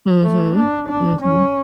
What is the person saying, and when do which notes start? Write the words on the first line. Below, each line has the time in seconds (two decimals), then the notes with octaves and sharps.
Mhm. Mhm.
0.23 A3
0.56 D4
0.88 D4
1.21 C#4